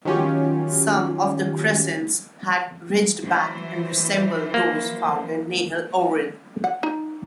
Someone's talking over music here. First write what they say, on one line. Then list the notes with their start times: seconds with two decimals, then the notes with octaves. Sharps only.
Some of the crescents had ridged backs and resembled those found at Nahal Oren.
0.05 D#3 F#3 C#4 F4 G4
3.24 E3 F#3 C5
4.54 A#3
6.64 F#5
6.83 D#4